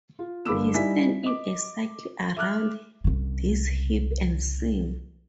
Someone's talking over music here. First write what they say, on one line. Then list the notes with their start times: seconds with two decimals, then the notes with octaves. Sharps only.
They stand in a circle around this heap and sing.
0.19 F4
0.45 G1 A#3 B5 D6 E6 E7
0.74 G3 D#4 E4 E5 G#5 B6
1.23 D#5 D6
2.37 E5 D6 F6 F#6
3.04 C2 C#3